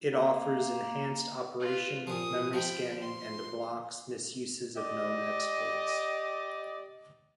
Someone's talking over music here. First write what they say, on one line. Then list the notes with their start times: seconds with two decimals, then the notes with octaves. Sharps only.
It offers enhanced operation memory scanning and blocks misuses of known exploits.
0.13 A#3
1.60 F4 B4
2.07 A#2 F3 D#6
2.53 F3 G5 B5
3.00 C6
4.76 G4 D5 D#5